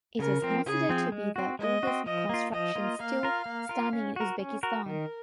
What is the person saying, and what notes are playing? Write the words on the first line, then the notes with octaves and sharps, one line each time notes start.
It is considered to be the oldest construction still standing in Uzbekistan.
C#3 A#4
F3 C4
C#3 G#4
F3 C4
G#3
C4 F#4
G#3 D#5
C4 F#4
F3 D#5
A#3 F4
F3 D#5
A#3 F4
A#3 F5
F4 A#4
A#3
F4 A#4
C#4
F#4 A#4
C#4
F#4 A#4
D#3 A#4